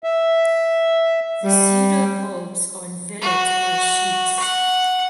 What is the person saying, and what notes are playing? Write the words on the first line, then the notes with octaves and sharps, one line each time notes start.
The pseudobulbs are enveloped by sheaths.
E5
G3
F#4
F#5